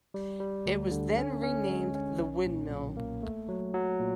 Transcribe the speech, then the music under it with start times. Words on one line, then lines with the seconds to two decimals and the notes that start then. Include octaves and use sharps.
It was then renamed the Windmill.
0.14 G3
0.40 G3
0.66 D2
0.91 D3
1.18 C#4
1.43 C#4
1.69 G#3
1.95 C#4
2.20 B1
2.46 A#2
2.71 B1
2.97 A#3
3.23 A3
3.49 F#3
3.74 F#3
4.00 A#2